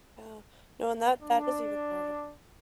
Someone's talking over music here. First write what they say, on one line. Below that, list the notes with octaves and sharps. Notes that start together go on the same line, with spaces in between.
Yeah. No, and that that is even harder.
D4